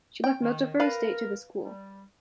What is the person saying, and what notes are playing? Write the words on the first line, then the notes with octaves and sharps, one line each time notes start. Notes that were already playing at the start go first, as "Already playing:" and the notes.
She left most of her estate to the school.
G5
D#3
A#4 B4 F5
G3